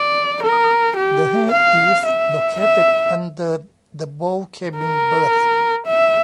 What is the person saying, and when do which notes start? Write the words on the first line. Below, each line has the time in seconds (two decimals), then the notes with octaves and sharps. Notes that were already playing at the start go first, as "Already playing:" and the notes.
The head is located under the bow cabin berth.
Already playing: D5
0.43 A#4
0.97 G4
1.51 F5
2.06 E5
2.60 E5
4.77 A#4
5.87 E5